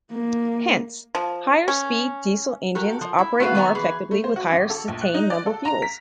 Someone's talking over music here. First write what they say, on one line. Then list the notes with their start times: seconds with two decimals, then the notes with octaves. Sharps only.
Hence, higher speed diesel engines operate more effectively with higher cetane number fuels.
0.12 A#3
1.15 F3
1.68 C#4
2.75 F#4 G4 A4 A#4
3.01 F3
3.18 E4
3.40 A3 B3 F#4 B4 F5
3.55 D#3 B3 F#4 G#5 A#5
3.75 E3 G#4 B4
4.11 A3
4.24 C5
4.36 F#4
4.52 G#1
4.70 A4
4.88 A#1
5.01 F#6
5.14 D#4
5.30 D5
5.46 A4
5.65 A#5
5.82 B6